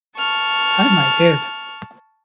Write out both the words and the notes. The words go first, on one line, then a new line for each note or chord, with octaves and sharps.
Time I did.
A5 C#6 F6